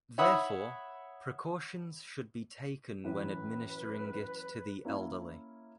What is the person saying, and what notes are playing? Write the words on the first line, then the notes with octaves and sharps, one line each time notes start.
Therefore, precautions should be taken when administering it to the elderly.
C#5 E5 F#5 B5 D#6 E6
F#2 A2 E3 B4
A#3 C#4 E4